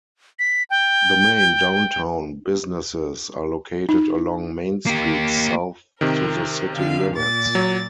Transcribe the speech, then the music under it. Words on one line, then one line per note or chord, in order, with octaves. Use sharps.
The main downtown businesses are located along Main Street south to the city limits.
B6
G5
D#4
A#3 G4
C3 D#3 A#4
D3 F5
A#2 D6 A6
F#3